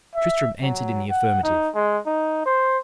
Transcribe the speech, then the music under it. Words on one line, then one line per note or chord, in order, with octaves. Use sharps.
Tristram answered in the affirmative.
E5
F#3
F#5
D#4
G#3
D#4
C5